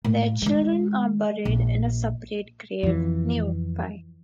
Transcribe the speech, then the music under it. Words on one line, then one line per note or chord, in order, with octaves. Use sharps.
Their children are buried in a separate grave nearby.
A2
D#3 G#3
A#1
F2 E3